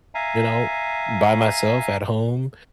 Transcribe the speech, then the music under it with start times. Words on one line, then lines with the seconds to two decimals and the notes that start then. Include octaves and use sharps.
you know, by myself at home,
0.15 E5 F5 G#5 A#5